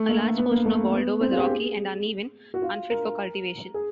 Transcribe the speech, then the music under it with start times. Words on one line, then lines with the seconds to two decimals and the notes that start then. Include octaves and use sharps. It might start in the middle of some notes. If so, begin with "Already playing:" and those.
A large portion of Waldo was rocky and uneven, unfit for cultivation.
Already playing: A3
0.09 A#3
0.37 B3
0.51 A#3
0.65 A3
0.94 B3
1.21 C4
1.31 F4
1.36 G#4
1.40 G4
1.49 G#4
2.54 F#4
2.62 F4
2.90 A#4
3.74 G#4